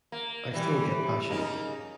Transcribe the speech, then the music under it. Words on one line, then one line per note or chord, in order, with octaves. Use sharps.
I still get passionate.
A#3
E3 G3
C#3 A#3 D#4